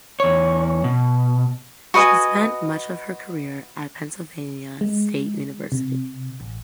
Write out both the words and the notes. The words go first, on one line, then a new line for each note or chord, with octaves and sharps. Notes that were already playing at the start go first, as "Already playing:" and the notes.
She spent much of her career at Pennsylvania State University.
E2 C#5
B2
F#4 B4 D#5 G#5
G#3
C3
A1